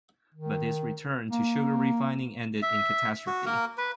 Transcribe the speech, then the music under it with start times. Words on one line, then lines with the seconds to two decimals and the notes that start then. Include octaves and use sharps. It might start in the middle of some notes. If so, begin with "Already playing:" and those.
But his return to sugar-refining ended in catastrophe.
0.35 D#3
1.31 A#3
2.62 E5
3.27 F#4
3.46 A#3 A#4
3.78 B4